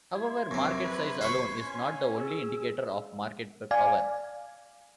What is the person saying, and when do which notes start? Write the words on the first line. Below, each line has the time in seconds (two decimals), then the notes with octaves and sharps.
However, market size alone is not the only indicator of market power.
0.15 E4 C6 G#6
0.51 F#2 C3
0.84 B4
1.21 C5 B5 C#6
1.59 C#4
2.16 G#4 E6
3.71 D5 F5 G#5